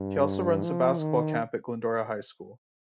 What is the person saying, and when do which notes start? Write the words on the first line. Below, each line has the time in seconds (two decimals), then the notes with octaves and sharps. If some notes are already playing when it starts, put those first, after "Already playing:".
He also runs a basketball camp at Glendora High School.
Already playing: G2
0.63 F3
0.99 D#3